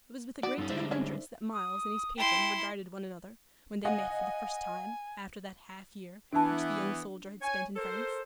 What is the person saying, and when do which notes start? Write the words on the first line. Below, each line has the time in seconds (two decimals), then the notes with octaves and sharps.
It was with a great deal of interest that Myles and his patron regarded one another when they met for the first time after that half-year which the young soldier had spent in France.
0.43 B3 D#4 F#4 D5
0.58 G2 C#4 D#4 F4 A4
0.69 D3 G3 G#3 C5 D5 E5
0.91 C#4 C#5
1.53 D#6
2.17 E4 G5 C6
3.85 D#5 F5 F#5 G#5
6.33 E3 B3 D4 A5
7.41 C#5 G#5
7.76 A4 A#4 C5